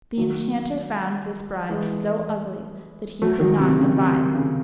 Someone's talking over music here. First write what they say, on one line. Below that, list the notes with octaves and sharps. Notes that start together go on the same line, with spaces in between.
The enchanter found this bride so ugly that he could not advise.
D#3 F#3
E3 G#3
F#3 A3
D#3 F#3
C3 D#3
C#3
C3
C#3